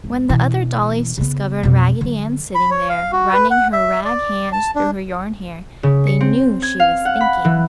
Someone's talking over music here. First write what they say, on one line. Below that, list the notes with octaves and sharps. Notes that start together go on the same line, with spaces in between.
When the other dollies discovered Raggedy Ann sitting there, running her rag hands through her yarn hair, they knew she was thinking.
G#1
B2 E3
C#3 B3
F2 B2
D3 F#3
B5
C#5
F5
F#4
B4
F#5
E5
D5
A5
D4
C#3
C#7
C4
G#6
F5
F#5
B5
E3